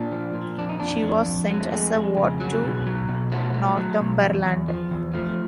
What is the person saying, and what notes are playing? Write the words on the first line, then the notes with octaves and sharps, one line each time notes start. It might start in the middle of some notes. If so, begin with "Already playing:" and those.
She was sent as a ward to Northumberland.
Already playing: A#2 D4
F3
A#2
F2 D4
D#4
F2 D4
F2
F2
F#3 G#3
A3
F2 G#3
F2
C#3
F#3
B2
F#3
B2
F#3 A3
F#3
F#3
B2
E2
E2
F3
E2
F3 A3